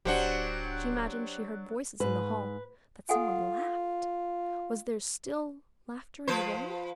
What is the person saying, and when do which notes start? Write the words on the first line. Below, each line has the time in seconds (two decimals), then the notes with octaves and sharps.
She imagined she heard voices in the hall--that some one laughed--was there still laughter in the world?
0.05 D1 F#3 D4 G4 C5 F#5
2.00 G#2 B4
3.09 F4 A4 F#5 G#5
6.28 F3 B4 C5